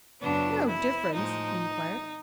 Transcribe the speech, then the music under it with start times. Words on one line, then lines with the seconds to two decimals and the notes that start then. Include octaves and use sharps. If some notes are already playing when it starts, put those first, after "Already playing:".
"No difference?" he inquired.
0.21 F#2 C#3 F#3 B3 D4
0.67 E4
1.13 A2 F3 G#3 D#4